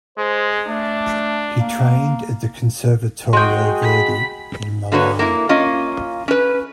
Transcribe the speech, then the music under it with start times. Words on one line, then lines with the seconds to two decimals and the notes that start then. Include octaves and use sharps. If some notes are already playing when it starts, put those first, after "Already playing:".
He trained at the Conservatorio Verdi in Milan.
0.18 G#3 C5
0.68 A3 D4
1.60 A#3
3.33 G#3 F#4 G#4 G5 C6
3.83 B5 B6
4.92 D3 A#3 F#4 B4 C#5
5.19 A#3 E4
5.49 A#3 C#4 F4 D#5
6.28 C#4 B4